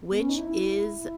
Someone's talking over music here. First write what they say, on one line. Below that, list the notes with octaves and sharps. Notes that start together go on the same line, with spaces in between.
which is
B3
C#4
D#4
E4